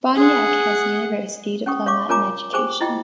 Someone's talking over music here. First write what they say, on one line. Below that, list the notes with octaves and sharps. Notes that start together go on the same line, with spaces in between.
Boniek has a University diploma in education.
G#4 F#5
C#4 G5 C#6 D#6
C#5 F5 C#6 D6
F4 A#4 C#5 G#5 A#5 D6
G4 G#4 C5 G5 G#5 D6
E4 F4 D#5 G5